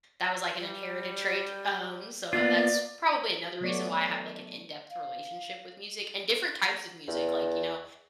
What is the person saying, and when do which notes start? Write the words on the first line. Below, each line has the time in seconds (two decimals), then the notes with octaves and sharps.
that was like an inherited trait. Um, so that's probably another reason why I have, like, an in-depth relationship with music, and different types of music. Like, you know,
0.59 G3
2.33 A#3 B3 F4 D5
3.61 F#3 A3 B3 C#5 D5
4.90 F5
7.08 E2